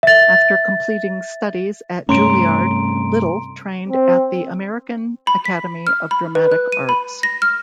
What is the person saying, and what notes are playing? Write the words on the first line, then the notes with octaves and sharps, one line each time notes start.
After completing studies at Juilliard, Little trained at the American Academy of Dramatic Arts.
E5 A6
G2 C3 A3 C#4 A#5 C6 D7
C4
B5
B6
F6
B5
B4
F#6
D#7
B5
A#6
F6